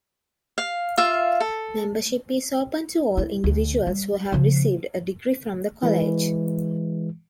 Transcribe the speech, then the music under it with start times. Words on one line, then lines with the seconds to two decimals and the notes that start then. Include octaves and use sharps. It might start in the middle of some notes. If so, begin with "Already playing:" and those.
Membership is open to all individuals who have received a degree from the College.
0.58 F5
0.97 F4 E5 F5
1.40 A4
3.17 E4
3.44 D2
3.87 G3
4.32 C#3 F3
5.83 E3 G#3